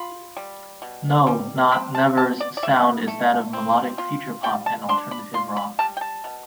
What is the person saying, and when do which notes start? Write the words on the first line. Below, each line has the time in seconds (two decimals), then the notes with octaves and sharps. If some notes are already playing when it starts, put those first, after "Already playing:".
No.not.never's sound is that of melodic futurepop and alternative rock.
Already playing: F4 B5
0.37 G3
0.82 B2
1.27 G3
1.72 C4 B5
1.95 A5
2.17 B2 A5
2.40 D5
2.57 D5
2.63 B2 E5
3.08 A3
3.53 C4
3.98 F4
4.43 G3 G5
4.66 A5
4.89 D4 C6
5.11 B5
5.34 F4 C6
5.57 B5
5.79 G3 A5
5.97 G5
6.01 A5
6.24 B2